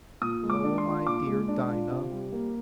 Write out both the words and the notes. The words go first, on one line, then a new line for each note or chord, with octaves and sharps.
Oh, my dear Dinah!
A#2 D#6
G#3
D6
D4
C6
F4
A#2 D6
G#3
D4
F4
C3
G3
A#3